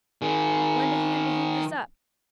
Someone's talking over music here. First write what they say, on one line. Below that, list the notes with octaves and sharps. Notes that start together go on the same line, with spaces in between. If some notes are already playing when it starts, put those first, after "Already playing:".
'Lend a hand to heave this up.
D#3 G#4